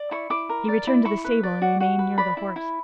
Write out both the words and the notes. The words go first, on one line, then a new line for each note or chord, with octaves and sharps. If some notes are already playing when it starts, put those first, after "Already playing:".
He returned to the stable and remained near the horse.
Already playing: D5
E4 C#6
E4 D6
A#4
D5
E4
E4 C#6
B4
D5
F#4
F#4
B4
D5 B5
E4
E4